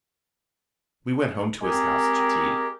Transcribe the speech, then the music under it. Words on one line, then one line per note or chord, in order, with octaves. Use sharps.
We went home to his house to tea.
G#3 C4 G4 G#4 A#4